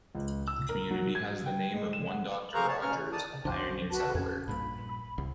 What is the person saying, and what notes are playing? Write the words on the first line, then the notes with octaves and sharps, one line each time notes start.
The community has the name of one Doctor Rogers, a pioneer settler.
C#2
E6
A#4
F#3
G#6
G5
G#3
E7
F#5
G#4 A#4 C5 F5 A#5 C#6
C#5 A5
B2 C#4 A#4 C#6 F6
A3
D#3 D5 A5 D#6
B1 F2 D3 F#4 C5 D6
F#4 B4 A5
F2 C#4 G#6
A#1 G2 A#2 B5
C2